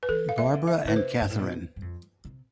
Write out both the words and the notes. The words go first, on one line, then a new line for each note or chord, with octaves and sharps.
Barbara and Catherine.
B4
E3 A4
F5
E5
C3
D3
E5
D3 B4
C3 C5
G2
A2
B2
G2
F2
C3